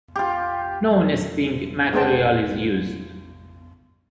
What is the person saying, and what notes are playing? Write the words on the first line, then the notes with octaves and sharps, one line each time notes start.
No nesting material is used.
F4 G4
G#3 B3 D4 C5 G5 A5